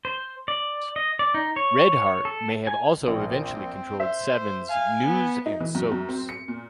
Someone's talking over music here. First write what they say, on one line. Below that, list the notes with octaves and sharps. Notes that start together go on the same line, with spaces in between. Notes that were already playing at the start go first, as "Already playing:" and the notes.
Red Heart may have also eventually controlled Seven's news and soaps.
C5
D5
D#5
D5
D#4
C#5
A4
G#5
A#1 C4
C5 E5
F5 G#5
B3
D#4
E3
F#2
F#2
C4
C#7
A#2